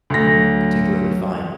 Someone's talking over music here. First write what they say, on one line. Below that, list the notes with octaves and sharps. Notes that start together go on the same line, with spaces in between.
particularly fine,
D2 A#6
F#3